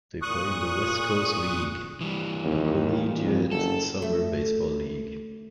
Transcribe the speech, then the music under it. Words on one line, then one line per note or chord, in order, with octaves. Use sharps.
They play in the West Coast League, a collegiate summer baseball league.
A#2 C#6 D#6 F#6
E3 G3
D#2
F2
F#1 A4
A3